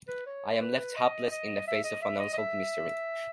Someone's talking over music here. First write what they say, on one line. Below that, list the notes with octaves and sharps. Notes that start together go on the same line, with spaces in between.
I am left hapless in the face of an unsolved mystery.
B4
C#5
B4
D#5
D#5
E5
D#5
E5
D#5
D#5
E5